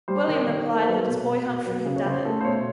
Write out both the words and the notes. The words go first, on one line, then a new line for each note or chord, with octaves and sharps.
William replied that his boy Humphrey had done it.
G3 C5
D#3
D#3
A#3
C5
F#3 B4
B2
B2
B2
F#3 B4
C#3
C#5
C#3 C5
A3
C5
B2 C#5